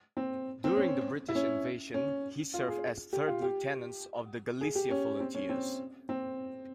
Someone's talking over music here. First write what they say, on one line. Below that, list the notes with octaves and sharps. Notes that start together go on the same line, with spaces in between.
During the British Invasions he served as Third Lieutenant of the Galicia Volunteers.
C4
C4
C#4
E4
C#4
C#4
F4
G#4
G4
F4
G4
G#4
G4
C#4
C4
C#4
C4
C4